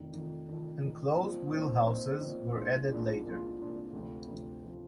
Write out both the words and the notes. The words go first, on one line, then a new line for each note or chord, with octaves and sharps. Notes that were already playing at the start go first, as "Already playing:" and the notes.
Enclosed wheelhouses were added later.
Already playing: F1 F2 D#3
F1 F2 D#3
F1 F2 D#3
F1 F2 D#3
A#2 F3 C4 D#4
A#2 F3 C4 D#4
A#2 F3 C4 D#4
A#2 F3 C4 D#4
C2 A#2 G#3 D4 F4
C2 A#2 G#3 D4 F4
C2 A#2 G#3 D4 F4
C2 A#2 G#3 D4 F4
D2 C3 F3
D2 C3 F3
C3 F3